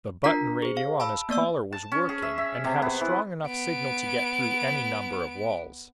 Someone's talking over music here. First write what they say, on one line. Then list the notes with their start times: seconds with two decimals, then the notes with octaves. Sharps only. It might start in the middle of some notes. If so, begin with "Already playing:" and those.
The button radio on his collar was working and had a strong enough signal to get through any number of walls.
0.24 D4 F4 A#4 A#5 B6
0.62 G#4 C5
0.77 F5
1.00 A5 B5 E6
1.29 A#3 B3 D5 E6
1.72 A5
1.92 C#4
2.09 G#4
2.22 E5
2.38 E5
2.64 C3
2.82 B3
3.01 E3
3.45 B3 D7